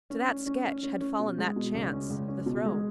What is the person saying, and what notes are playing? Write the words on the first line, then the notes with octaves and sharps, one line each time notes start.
To that sketch had fallen that chance, the throne.
C#4
C#4
C#4
C#4
C#4
C#4
B2
G#3
B2
C#2
C#4
C#2
C#4
B2
G#3